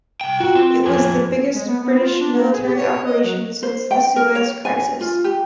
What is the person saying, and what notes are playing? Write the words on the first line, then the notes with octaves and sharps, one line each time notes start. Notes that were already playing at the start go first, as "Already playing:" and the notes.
It was the biggest British military operation since the Suez Crisis.
C2 G5
F4 F#4 G5
C4
F2 G#4
G#3
B3
B3
F4
D4
A#3
G#4
G4
C#5
D#5
F#3
C5
G5
A#4
C#5
G#5
F4
G4